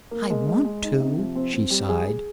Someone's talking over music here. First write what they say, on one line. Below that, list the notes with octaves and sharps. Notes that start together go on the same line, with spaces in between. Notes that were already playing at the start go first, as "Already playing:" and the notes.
"I want to," she sighed.
A#3
G#3
G#3
G#3
D#4
C3
F3
C4
C4
G3
G#4
G#4